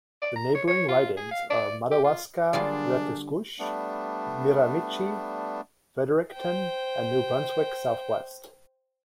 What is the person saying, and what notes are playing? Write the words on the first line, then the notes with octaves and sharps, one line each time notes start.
The neighbouring ridings are Madawaska-Restigouche, Miramichi, Fredericton, and New Brunswick Southwest.
D5
A#5
C#5
C#5
F4
G#4
F5
D5
G4
F4
D3 F#3 G3 A#3 D4 F4 G#4 D5
G3 A3 B3 D4
C5 G5